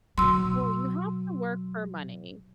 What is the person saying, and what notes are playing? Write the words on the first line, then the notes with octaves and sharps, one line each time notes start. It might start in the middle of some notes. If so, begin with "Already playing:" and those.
Well, you have to work for money,
B2 F#3 C6 E6